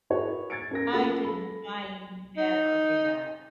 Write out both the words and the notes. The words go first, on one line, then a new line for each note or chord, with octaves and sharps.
I didn't I never knew that.
E4 F#4 G#4 A#4 B4 C#5
G#6 A6 C#7 D7
C#4 A#4 A#6
A3 A#3 C#4 F4 A4
A4 B5
D#4